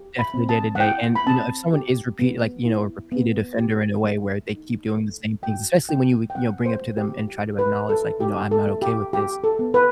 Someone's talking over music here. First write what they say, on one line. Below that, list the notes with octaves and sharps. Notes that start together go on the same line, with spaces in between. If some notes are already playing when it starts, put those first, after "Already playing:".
definitely day to day, and, you know, if someone is repeat like, you know, a repeated offender in a way where they keep doing the same things, especially when you you know, bring up to them, and try to acknowledge, like, "You know, I'm not okay with this,"
Already playing: G4
B5
C4
A5
F#5
E4 G5
B5
C4 A5
G4
B3
E4
B3
G4
A3
D#4
A3
F#4 G5
A3 G5
G5
C4 F#5
C5
A3
G4
G4
B4
A3
A4
D#4 G4
A4
A3
G4
G4
A4
B3
B4